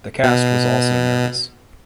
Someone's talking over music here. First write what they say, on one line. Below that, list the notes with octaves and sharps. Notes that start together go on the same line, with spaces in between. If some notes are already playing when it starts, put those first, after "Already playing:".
The cast was also nervous.
B2